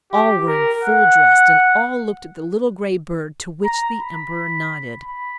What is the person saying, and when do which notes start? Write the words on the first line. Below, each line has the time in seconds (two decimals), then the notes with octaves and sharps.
All were in full dress, and all looked at the little gray bird, to which the Emperor nodded.
0.12 G4
0.48 A#4
0.83 F#5
3.65 A#5
4.00 B5
5.05 B5